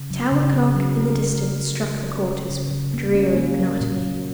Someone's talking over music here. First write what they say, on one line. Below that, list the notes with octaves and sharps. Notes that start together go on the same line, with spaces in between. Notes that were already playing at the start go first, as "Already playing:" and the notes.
The tower-clock in the distance struck the quarters with dreary monotony.
Already playing: C#3
F#3
C#3
C#3
F#3
A#4
F#3
F#3
F#3
F#3
C#4
F#3
C#3
C#3
A#3
C#4
A#3
F#3
A#2
F#3